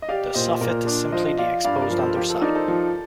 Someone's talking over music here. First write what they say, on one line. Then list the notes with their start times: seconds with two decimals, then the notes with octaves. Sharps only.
The soffit is simply the exposed underside.
0.02 D#5
0.09 G4 D5 F5
0.34 A#2 C5 D#5
0.61 A#2 A#4 D5
0.87 D4
1.12 F3 C5 D#5
1.26 D#5
1.38 F4 D5 F5
1.64 G2 D5 F5
1.82 A#4 D5
1.90 F3
1.99 A4 C5
2.16 F3 G4 A#4
2.29 A4 C5
2.42 D#4 A#4 D5
2.55 A4 C5
2.68 F3